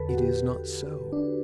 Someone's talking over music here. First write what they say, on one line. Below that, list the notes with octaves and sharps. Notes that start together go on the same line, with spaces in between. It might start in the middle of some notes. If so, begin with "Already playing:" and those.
It is not so.
Already playing: E2 D3 A4 B4
F#4
G4
D4